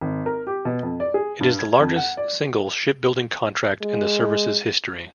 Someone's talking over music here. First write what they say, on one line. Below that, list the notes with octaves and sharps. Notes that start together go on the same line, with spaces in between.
It is the largest single shipbuilding contract in the service's history.
G#1
A#4
G4
B2
F2
D5
G#4
G2
G#6
F2
F#5
D5
G#3